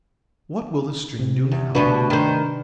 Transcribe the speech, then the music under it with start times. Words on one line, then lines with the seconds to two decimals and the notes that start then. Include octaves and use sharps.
What will the stream do now?
1.19 C3
1.52 E2
1.75 D2 B2 D4 F#4 B4
2.10 D#3 C5